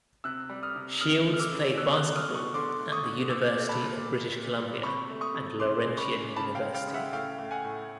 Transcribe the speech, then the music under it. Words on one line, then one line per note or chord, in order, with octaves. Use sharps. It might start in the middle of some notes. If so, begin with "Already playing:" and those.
Shields played basketball at the University of British Columbia and Laurentian University.
C3 E6 F#6
G3
D#6 F6
C3
C#3 D#6 F6
A3
F6
D6 E6
C#3
B2 E6 F#6
E6 F#6
A3
D#6 F6
B2
C#6 D#6
D3 C6 D6
A3
C#6 D#6
D3
A#2 D6 E6
A3
A5 B5
A#2
A#2
A#2
G3
C3 B5 C#6
A3
C#6 D#6
C3
C#3 C6 D6
G#3
B5 C#6
C#3
C#3 A5 B5
F5 G5
G#3
F5 G5
C#3
E5 F#5
A2 F5 G5
A3
F#5 G#5
A2